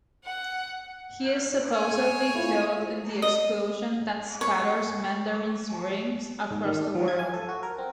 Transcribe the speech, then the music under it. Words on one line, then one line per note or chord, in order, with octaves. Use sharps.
He is supposedly killed in the explosion that scatters Mandarin's rings across the world.
F#5
C#5 G#5
A3 E4 F4
D#5
C#5
G#2
D#3
D4
F3
G#6
G#5
A4
F#4
A#4
C4